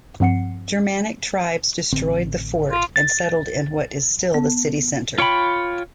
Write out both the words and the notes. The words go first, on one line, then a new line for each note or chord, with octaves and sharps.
Germanic tribes destroyed the fort and settled in what is still the city centre.
G2 F3 C4 F#5 C7 C#7
A1 D3 C4
F4
A6
B3
F4 C#5 G5 B5